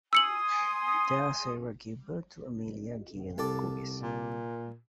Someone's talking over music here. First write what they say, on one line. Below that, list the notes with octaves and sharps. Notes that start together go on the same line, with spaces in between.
There Sarah gave birth to Amelia Gayle Gorgas.
G#5 C6 D#6 E6 C#7 F#7
C2 A4 D5
A#2